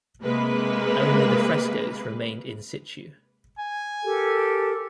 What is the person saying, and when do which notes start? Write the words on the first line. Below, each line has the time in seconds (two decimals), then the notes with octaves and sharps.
Only the frescos remained in situ.
0.23 C3 G#3 A#3 B4
3.58 G#5
4.04 G4 A4 A#4